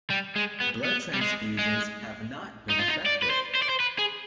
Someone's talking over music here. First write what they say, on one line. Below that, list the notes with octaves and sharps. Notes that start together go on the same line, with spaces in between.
Blood transfusions have not been effective.
G3
G#3
B3
B3
G3
G#3
G#3
D#4
F4
D#4
D5
B4
C5
C5
D5
C5
B4
G#4